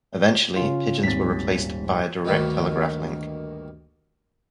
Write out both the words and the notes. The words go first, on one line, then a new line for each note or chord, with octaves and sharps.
Eventually, pigeons were replaced by a direct telegraph link.
C#3 C#4 F4
D#1 G#1 A6 B6
D2 G2 D#3 A#3 F#4